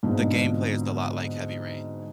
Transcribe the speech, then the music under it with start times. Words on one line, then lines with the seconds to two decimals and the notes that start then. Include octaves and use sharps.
The gameplay is da lot like Heavy Rain,
0.03 G#2 B2 D3 C4 D4 F4